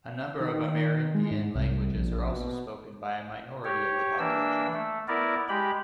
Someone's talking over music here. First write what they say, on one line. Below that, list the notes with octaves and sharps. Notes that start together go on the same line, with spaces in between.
A number of Amerindian languages are also spoken by a minority of the population.
D#3
G#3
G#2
C2
A#1
B2
G4 C#5
E3 A#3 D4 E6
A3
B3 E4 A#4 D5
G#3 G4 B5